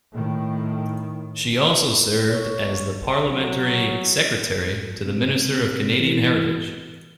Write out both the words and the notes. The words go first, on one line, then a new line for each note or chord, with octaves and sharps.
She also served as Parliamentary Secretary to the Minister of Canadian Heritage.
A2 D#3
C#5
F#3
C3
E3